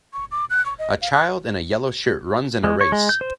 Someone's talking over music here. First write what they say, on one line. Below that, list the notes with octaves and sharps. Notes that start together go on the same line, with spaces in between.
A child in a yellow shirt runs in a race.
C#6
D6
F#6
C#6
D#5
F5
F#6
G#3
C#5
G#3
G6
C5